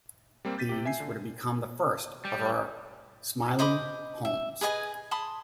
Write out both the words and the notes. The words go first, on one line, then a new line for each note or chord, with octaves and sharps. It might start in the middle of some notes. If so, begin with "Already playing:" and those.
These were to become the first of her "Smyly Homes".
G3 A#3 C4
G6 A6 B6 D#7
C3 G4
E5 G#5 C7
D3
G3
C5 D#5 B5 D6
E5
G#4 B4 D#5 G#5
A5 B5 C6 D#6